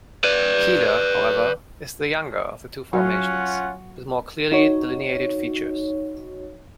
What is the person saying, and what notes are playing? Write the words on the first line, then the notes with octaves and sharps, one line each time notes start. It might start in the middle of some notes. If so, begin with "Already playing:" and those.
Keeler, however, is the younger of the two formations, with more clearly delineated features.
B4 D5
F#3 C#4 F4 F#4 F#5
D#4 F#4 C#5